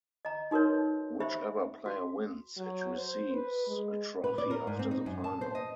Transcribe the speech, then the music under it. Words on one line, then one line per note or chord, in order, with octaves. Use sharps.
Whichever player wins it receives a trophy after the final.
D#5 A#5
D#4 F#4 A#4 B4 C#5
G4 C5 E5 B5
F#4
F#3
C5
B4
G#3
B4
D5
A#4
G#2
C4
D#4
F#2
A5
C5
D#5